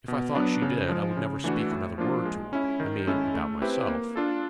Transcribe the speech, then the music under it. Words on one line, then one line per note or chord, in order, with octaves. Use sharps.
If I thought she did, I would never speak another word to her,--I mean about myself.
B2
F#3 B3 D4
C#3
F3 G#3
C#3
E3 A3 D4 F#4
A2
F3 A#3 D4 F4
G#3
C#4 E4
D#3
G#3 C#4 E4 A4
A3
C4 E4 G4 B4
A#3
D4 F4 A4